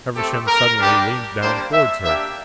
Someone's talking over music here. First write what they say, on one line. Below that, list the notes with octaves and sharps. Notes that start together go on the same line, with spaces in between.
Feversham suddenly leaned down towards her.
A3 C4 G4 A4
A#4
G3 D4 G4
G3 A#3 D4 C5
E5
A#3 D4 G4 E5